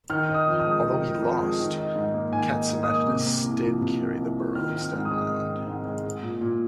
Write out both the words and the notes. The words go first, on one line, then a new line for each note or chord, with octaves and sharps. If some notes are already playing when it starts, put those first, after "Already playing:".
Although he lost, Catsimatidis did carry the borough of Staten Island.
D#3 F6
D#4
D#6
F2
D#6
G#3
D#3
D#4
F2
G#3
D#3
D#4
G#2
A#3
D#3 G#5
D#4
G#2
D#6
A#3
C3
A#3
C2
F3
C3
A#3
C2
F3
D#3 F6
C4
F6
G#2
D#6
G#3
D#3
C4
G#2
G#3
G#3
A#2
A#2